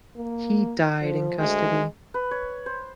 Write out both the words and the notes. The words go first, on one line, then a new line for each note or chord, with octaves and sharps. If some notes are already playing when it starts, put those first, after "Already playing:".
He died in custody.
A#3
F3
D2 G#3
B4
C#5
C5